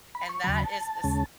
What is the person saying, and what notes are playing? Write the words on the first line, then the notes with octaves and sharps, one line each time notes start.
And that is a s
B5
C#6
D#2 C#3 F#3 B5
B5
A5
D#2 C#3 G#3 C#4